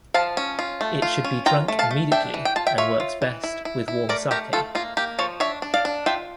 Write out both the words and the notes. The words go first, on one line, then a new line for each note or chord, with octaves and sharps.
It should be drunk immediately, and works best with warm sake.
F3 F5 A5
C#4
F4
A3
F4
C#4
F4 G5 A#5
A3
F5 A5
A3
D4 E5 G5
E3
G5
F4 A5
E5 G5
F4 C#5 E5
F4
E3
E4
E4
E4
A3 A#4 D5
A3 G4 A#4
A3 F4 A4
A#3 F4
A#3 G4
F3 A4 C#5
D4 C#5 E5
D4
D5 F5
D4
F4 E5 G5